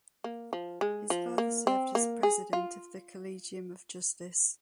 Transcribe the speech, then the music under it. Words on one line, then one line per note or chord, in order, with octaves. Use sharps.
His father served as president of the Collegium of Justice.
A#3
F3
G#3
F3
A#3
C4
A#3
G#4
F4